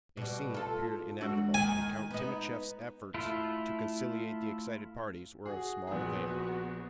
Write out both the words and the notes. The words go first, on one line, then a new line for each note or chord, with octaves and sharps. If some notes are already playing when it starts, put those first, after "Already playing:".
A scene appeared inevitable, and Count Timascheff's efforts to conciliate the excited parties were of small avail.
B2 G3
F4 A4
G#3 D4 F#4
D#3 G#5
B3 D#4
A3 E4 F4
F#4 G#4
A#1 B3 F#4 G#4